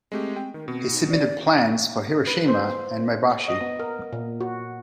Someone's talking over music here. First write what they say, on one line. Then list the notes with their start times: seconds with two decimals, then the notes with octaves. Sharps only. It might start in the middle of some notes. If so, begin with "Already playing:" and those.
He submitted plans for Hiroshima and Maebashi.
0.12 G#3 A3 C4 G4
0.36 C4 G5
0.54 D#3 A#4
0.68 B2 C4
0.91 D#4
1.10 C#4 D5
2.27 B4
2.48 C5
3.48 D#5
3.61 B3
3.80 A#4
4.13 A#2
4.41 F#4